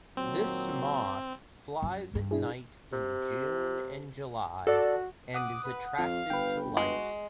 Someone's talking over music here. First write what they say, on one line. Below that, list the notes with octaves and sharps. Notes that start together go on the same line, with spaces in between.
This moth flies at night in June and July and is attracted to light.
A#2 D#3 F#3 C4
F#2
G2 D#3
D4 E4 G#4
C3
F#4 A4 D5
F#5 D6 D#6 F#6
B4
F2 F5
G1 B4 G5
G#3 F#4